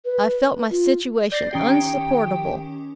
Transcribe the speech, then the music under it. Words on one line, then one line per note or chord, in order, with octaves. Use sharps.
I felt my situation unsupportable.
B4
F4
D5 G6 A#6 C7
D#3 C#4 G4 G5